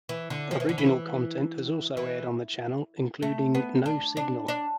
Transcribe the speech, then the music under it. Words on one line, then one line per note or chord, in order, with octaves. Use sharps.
Original content has also aired on the channel, including No Signal!
E3
D3
F3
E3
D3
E3
E3
A3
B3
D4
D4
D4